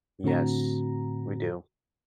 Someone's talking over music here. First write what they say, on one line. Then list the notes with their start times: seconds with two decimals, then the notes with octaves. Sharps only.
Yes. We do.
0.24 A2 D3 C4 F#4 A#5